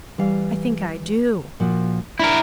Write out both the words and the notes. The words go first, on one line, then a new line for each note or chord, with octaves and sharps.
"I think I do."
E3 G3 F5
A#2 F3 F#4
D4 E4 A#4